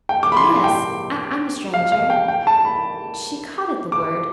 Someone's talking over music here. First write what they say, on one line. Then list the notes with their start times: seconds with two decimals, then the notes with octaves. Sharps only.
"Yes, I'm a stranger." She caught at the word.
0.09 G5
0.23 D6
0.32 B5
0.37 C6
0.64 G5
1.74 F5
1.92 F5
2.10 G5
2.28 G5
2.47 A5
2.65 B5
3.92 D6